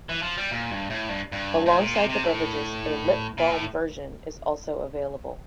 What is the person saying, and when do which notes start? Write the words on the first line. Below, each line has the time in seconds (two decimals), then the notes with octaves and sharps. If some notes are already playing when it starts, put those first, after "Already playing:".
Alongside the beverages, a Lip Balm version is also available.
0.09 E3
0.22 F3
0.37 G3
0.51 A#2
0.71 G2
0.90 A2
1.09 G2
1.32 G2
1.66 A2
1.80 A#2
1.95 C3
2.09 C3
2.23 A2
3.38 A#2
3.51 A2